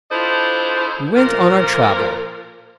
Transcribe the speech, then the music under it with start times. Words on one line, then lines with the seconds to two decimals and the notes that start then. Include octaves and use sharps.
We went on our travel.
0.11 D4 E4 F4 A4 C5 D#5
1.17 A#2 F3 A#4